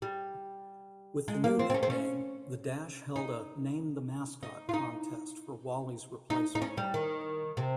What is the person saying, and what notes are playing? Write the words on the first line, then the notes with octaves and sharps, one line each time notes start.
With the new nickname, the Dash held a name-the-mascot contest for Wally's replacement.
G3
G#3
A#3
C4
C4
C#4
C4
C#4
D#4
D#4
F4
D#4
D#4
D#4
C#4
G3
D#3
C3